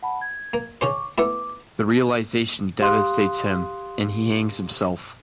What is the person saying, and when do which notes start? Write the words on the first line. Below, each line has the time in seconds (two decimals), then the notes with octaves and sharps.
The realization devastates him, and he hangs himself.
0.03 F#5 A5 B5
0.21 G#6
0.54 A#3
0.81 C#3 C#4 C5 C#6 D6
1.18 A3 B3 E4 D6
2.81 G4 F5 C6 D#6 F#6